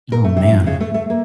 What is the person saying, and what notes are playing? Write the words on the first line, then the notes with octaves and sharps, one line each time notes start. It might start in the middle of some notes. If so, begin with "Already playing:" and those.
Oh man.
A#4
A3
C3
F3
C#3
A3
A3
A#3